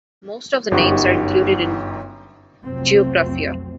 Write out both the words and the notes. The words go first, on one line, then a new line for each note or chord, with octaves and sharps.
Most of the names are included in "Geographia".
G1 F#2 D#4 G4 F#5 C#6
B1 F2 C3 F#3 A3 C4